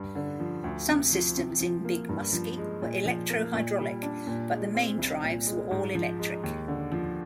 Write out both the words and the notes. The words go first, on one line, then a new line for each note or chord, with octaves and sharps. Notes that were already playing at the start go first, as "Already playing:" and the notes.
Some systems in Big Muskie were electro-hydraulic, but the main drives were all electric.
Already playing: G2
D3
F3
D2
C3
F3
C3
F3
A#3
G2
F3
G#3
A#2
F3
A#3
A#2
G3
D4
A#2
G#3
C4
C2
A#2
G#3
G#2
F3
G#3
D#2
D3
F3